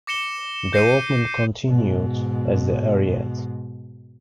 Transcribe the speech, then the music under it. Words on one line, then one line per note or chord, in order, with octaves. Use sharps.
Development continued as the Ariete.
D6 A#6 C#7 E7 G7
G6 A#6 C7 C#7 D#7
G#2 B2